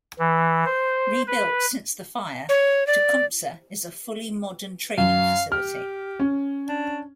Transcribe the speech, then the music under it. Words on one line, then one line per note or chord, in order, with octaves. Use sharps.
Rebuilt since the fire, "Tecumseh" is a fully modern training facility.
E3
C5
B4
C#5
D5
F#2 F5
G4 F6
C#4
D4